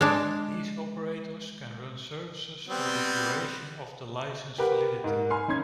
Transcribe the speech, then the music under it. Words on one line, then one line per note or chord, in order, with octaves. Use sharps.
These operators can run services for the duration of the licence validity.
G#3 D4
G3 B3 C4
G4 A#4 B4 F#5
G#2 A#4
G#5 B5 C6 F6
D#3 C#4 C6 G#6